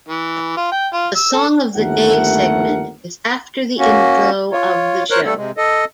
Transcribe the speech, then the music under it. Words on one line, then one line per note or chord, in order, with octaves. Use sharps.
The "Song of the Day" segment is after the intro of the show.
E3
F4
G5
F4
E6
A4
G1 D#2 A3 A#4 F#5
A#3 C#4 F#4
F4 C#5
A#4 C5 C#5 F#6
G3 A3 A4
C3 G#3
A4 D#5